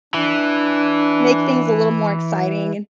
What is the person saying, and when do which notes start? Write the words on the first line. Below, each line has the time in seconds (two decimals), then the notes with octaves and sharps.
make things a little more exciting and
0.14 E3 D4